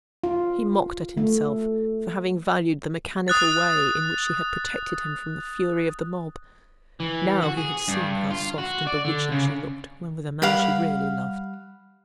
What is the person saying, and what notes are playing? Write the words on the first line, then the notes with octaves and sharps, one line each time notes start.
He mocked at himself, for having valued the mechanical way in which she had protected him from the fury of the mob; now he had seen how soft and bewitching she looked when with a man she really loved.
F4
A3
D#6 F#6 A6
E3
F#4
G#4
G2
F4
F#4
D5
D3
C#3
G3 F5 F#5 B5